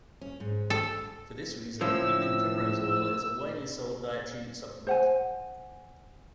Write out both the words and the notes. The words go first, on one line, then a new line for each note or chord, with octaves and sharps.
For this reason evening primrose oil is a widely sold dietary supplement.
C#4
G#2
A4
A2 F3 C#4 E6
C5 F#5 G#5